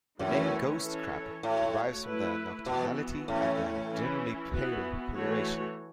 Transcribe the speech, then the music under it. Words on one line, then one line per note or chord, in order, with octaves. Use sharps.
The name "ghost crab" derives from their nocturnality and their generally pale coloration.
F#2 E3 A3 C#4 E4 C#5
E3 C#4 A4 C#5
A2 A3 F#4 C#5
A3 E4 B4
B2 E3 B3 F#4
A2 E3 A3 C#4
E3 C#4 E4
E3 B3 F#4
E3 A3 F#4 C#5